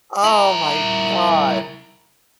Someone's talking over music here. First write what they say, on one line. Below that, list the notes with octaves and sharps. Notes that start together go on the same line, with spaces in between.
Oh, my god,
E4 A#4